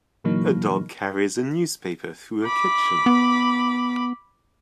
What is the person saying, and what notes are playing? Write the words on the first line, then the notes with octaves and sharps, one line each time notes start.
A dog carries a newspaper through a kitchen.
A#2 D3 E3 F#3 A#3 D#4
B5 D6
B3